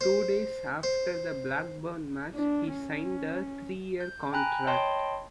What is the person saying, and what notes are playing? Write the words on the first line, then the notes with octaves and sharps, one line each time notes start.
Two days after the Blackburn match, he signed a three-year contract.
C5
C5
D4
C#4
G6
G5 G#5 A#5 B5 F#6
C#5 D#5 G5 A5 B5 C6